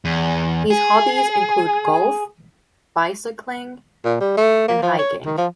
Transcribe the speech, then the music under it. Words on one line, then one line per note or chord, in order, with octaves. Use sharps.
His hobbies include golf, bicycling, and hiking.
E2
G#4
A#2
G3
A3
A#3
F3
C#5
D#3
F3